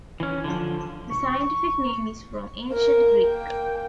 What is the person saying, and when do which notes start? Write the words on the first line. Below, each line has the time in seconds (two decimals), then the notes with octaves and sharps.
The scientific name is from Ancient Greek.
0.20 E3 C#4
0.44 D3 F3
1.11 F1 C#6
2.70 A#3 A#4
3.25 A#3 G5